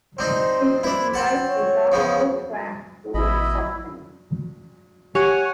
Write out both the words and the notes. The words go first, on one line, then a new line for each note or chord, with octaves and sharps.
It could be like a gospel track or something.
C4 D4 D#4 C5
D4 E4
C4 F#5 A5
C#5
E2 C#3 F3
A1 B2 E4 D#5 B5
G4 C#5 F#5 G#5